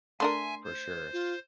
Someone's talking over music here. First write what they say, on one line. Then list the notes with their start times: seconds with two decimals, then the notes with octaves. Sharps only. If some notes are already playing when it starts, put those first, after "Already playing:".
For sure.
0.20 A3 D4 A#4 E5 G#5 C6
0.64 C5
1.13 F4